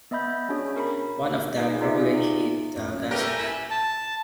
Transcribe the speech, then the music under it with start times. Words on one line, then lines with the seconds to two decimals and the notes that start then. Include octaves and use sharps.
One of them probably hit the "Ghazi".
0.11 B3 D#5 E5 B5 G6
0.49 C#4 D4 F#4 G#4 C#5
0.76 A#4 B5
1.57 D#4 G#4 B4
1.81 D#4 F4 G#4 D5 E5
2.76 F#2
3.11 A3 G4 A#4 B4
3.26 G#5
3.39 E4
3.70 A5